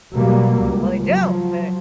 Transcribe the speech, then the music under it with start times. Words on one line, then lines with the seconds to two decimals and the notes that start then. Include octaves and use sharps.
"Well, I don't," but
0.14 B2 F#3 G3 A#3
0.63 C#2
0.98 F3 F#3